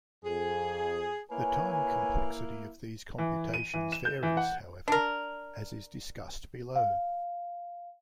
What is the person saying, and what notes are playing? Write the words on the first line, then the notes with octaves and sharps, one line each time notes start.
The time complexity of these computations varies, however, as is discussed below.
F2 G#4
A#3 E4 B4 C#5 G#5
E3
D#7
E3
E7
G6
E3
F#5
D4 A#4
F5